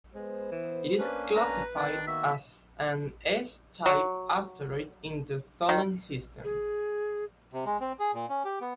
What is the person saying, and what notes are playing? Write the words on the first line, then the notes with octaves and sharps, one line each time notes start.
It is classified as an S-type asteroid in the Tholen system.
G#3 B3 C5
E3
A#3 C#4 D4 B4
B4 A#5
D#3 C4 D4 D#4
A#3 B3 F#4 E5
F#3
D#3
G#4
C3
G#3
C4
G#4
A#2
C#4
G4
B3